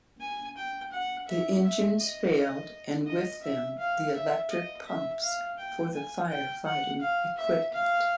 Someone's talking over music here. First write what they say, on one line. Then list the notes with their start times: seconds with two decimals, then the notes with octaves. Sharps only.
The engines failed and with them the electric pumps for the firefighting equipment.
0.21 G#5
0.57 G5
0.92 F#5
1.28 E5
1.63 E5
2.00 D#5
3.07 D#5
3.43 E5
3.78 F5
4.15 E5
4.51 D#5
4.86 E5
5.22 F5
5.58 G5
5.94 G#5
6.30 G5
6.65 F#5
7.01 F5
7.37 E5
7.72 F5